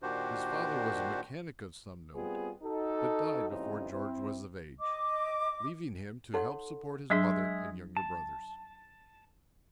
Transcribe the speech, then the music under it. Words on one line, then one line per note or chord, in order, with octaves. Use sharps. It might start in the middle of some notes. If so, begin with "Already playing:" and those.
His father was a mechanic of some note, but died before George was of age, leaving him to help support his mother and younger brothers.
A#2 D#3 D4 F#4 G4 C5
G3 B3 C4 F4 G#4
D#4 F#4 A4
A1 C#3 E3 G3 C4 D#4
C4 E4
D#5 D6
D#4 A4 C#5 F#5 C6
F#3 G#3 D4 G#4 E5 C6
A5